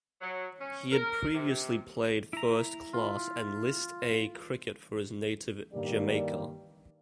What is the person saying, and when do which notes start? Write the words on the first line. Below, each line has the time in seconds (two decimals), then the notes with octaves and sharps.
He had previously played first-class and List A cricket for his native Jamaica.
0.21 F#3
0.58 C#4
0.91 A#4
1.34 C3
2.33 E4 A#5
2.93 F4
5.73 G2 D#3 G3 A#3 G4 D5